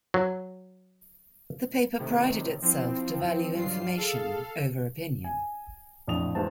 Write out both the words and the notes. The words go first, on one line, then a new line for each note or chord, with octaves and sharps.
The paper prided itself to value information over opinion.
F#3
A2 C3 D#3
F3 C4 E4
G2 F#3 F4 C7
G#4 A4 F5
G#5
A#1 F2 A2 D#6 F7
E2 G#3 C5 A5